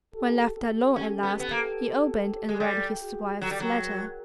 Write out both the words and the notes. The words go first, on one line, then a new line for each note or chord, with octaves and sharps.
When left alone at last he opened and read his wife's letter.
G4 A4
G4 A4
C#4 G4 A4
B3
B3
A#3
G#3
G3 G4 A4
F#4 G#4
F#3 G4 A4
G3
F#3
G#4 A#4